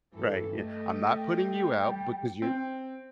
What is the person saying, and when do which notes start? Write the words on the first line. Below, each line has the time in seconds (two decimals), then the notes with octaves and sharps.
Right, yeah, "I'm not putting you out because you're"
0.12 G2 E3 A4
0.55 A3 G4 D#5
1.17 G5
1.84 G3
2.42 C4